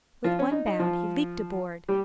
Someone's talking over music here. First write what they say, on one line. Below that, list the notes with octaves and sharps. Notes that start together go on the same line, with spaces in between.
With one bound, he leaped aboard.
F3 F4
C#4
D#4
D#4
F3 F4
G3 G4